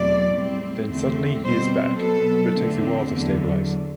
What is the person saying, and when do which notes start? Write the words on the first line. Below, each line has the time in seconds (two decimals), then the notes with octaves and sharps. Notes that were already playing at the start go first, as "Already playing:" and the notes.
Then suddenly he is back, but takes a while to stabilise.
Already playing: E2 B2 F#3 A3 C4 D5
0.32 A2 G3 C4
0.87 E2 D3 A3 C4
1.44 B2 G3 C4 C5
1.99 B2 F#3 B3 A4
2.56 E2 D3 A3 C4
3.11 E2 D3 F#3